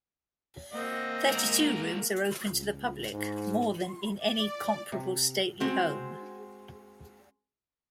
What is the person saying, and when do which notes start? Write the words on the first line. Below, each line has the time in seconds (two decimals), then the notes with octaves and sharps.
Thirty-two rooms are open to the public, more than in any comparable stately home.
0.73 A#3 C4 D#5 F#5
1.30 G#2 A#4
2.50 C#2
3.11 G#2
4.18 D5
4.92 C3
5.60 G#3 C4 F#4